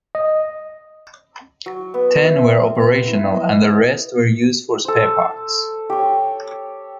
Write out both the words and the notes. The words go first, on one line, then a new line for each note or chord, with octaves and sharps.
Ten were operational and the rest were used for spare parts.
D#5
F#3
B3
E5
C4
B3
E4
D#5
A4 C5
G4 C#5